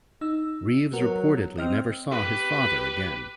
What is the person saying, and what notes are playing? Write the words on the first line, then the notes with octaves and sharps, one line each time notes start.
Reeves reportedly never saw his father again.
D#4 E6
F#3 B3 F#4 A#4
C4 D#5 F6
G4 B4